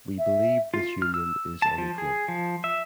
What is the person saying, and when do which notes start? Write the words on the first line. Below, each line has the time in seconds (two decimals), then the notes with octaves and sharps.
We believe this union is unequal.
0.19 E5
0.74 F4
1.02 F6
1.14 E6
1.62 A5
1.78 F3
1.98 G#4
2.28 F3
2.64 E5